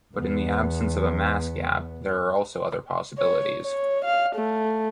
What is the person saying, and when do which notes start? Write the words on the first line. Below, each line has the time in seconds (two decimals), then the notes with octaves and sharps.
But in the absence of a mass gap, there are also other possibilities.
0.17 E2 B3
3.18 C#5
3.63 C#5
4.05 F5
4.35 A3